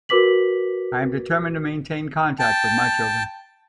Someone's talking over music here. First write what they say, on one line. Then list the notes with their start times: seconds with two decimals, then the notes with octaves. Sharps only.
I am determined to maintain contact with my children.
0.09 F#4 A#4 B4 D6 B6 F#7
2.39 G5 A5